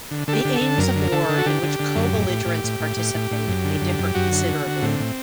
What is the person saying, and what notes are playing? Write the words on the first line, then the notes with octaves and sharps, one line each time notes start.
The aims of war in which co-belligerents participate may differ considerably.
D3
D3 A4
G4
D3
A4
D3
F#2 A#4
D3
D3 A4
D3
F#4
D3 G4
D3
D3
F#2
A2
A2
A2
A2
A2
A2
A2
A2
F#2
D3
F#2
F#2
F#2 F#4
D3
D3
D3
A2 C4
A2